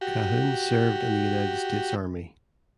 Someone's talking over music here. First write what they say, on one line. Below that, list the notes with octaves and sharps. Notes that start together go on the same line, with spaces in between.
Cahoon served in the United States Army.
F#4 G4